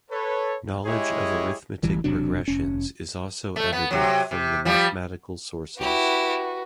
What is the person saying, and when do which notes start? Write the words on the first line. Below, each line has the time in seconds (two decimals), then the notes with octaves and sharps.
Knowledge of arithmetic progressions is also evident from the mathematical sources.
0.10 A4 B4 C#5
0.86 G#3 E4 G4 G#4 C#5 D#5
1.83 D1 A1 E3 G3
2.04 E1 C3 F#3 D4
2.48 F1 C#4
3.56 A3
3.73 B3
3.91 C3 F#3
4.31 C3
4.65 F3 G3
5.78 E4 F#4 G4 B4